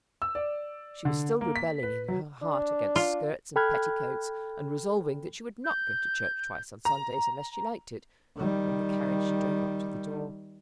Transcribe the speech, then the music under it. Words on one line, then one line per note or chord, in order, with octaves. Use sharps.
She was still rebelling in her heart against skirts and petticoats, and resolving that she would not go to church twice on Sundays unless she liked it, when the carriage drove up to the door.
E6
D5
D3
A#3
B6
B4
F#3
D4
F4
A4 G5 B5 F6 F#6 G#6
G6
A#5
D#3 G3